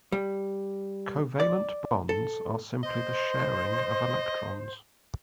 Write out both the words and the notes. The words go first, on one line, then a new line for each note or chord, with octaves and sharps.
Covalent bonds are simply the sharing of electrons.
G3
D5
A4
C5 D#5